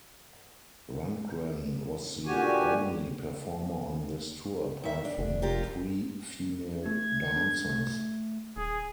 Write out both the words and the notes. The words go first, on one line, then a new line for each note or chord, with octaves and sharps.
Rundgren was the only performer on this tour apart from three female dancers.
A#2 D3 F#4 G4 G#5
D#3 E5
D4
F1
F4 G4 A#4
A3 G#6
D4
A3
D#1 G#4